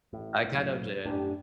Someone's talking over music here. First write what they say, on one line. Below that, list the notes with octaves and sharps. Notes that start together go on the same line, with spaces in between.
I kind of d
A1 A2
F#1 D2 F#3
F#2 A2 D4 G4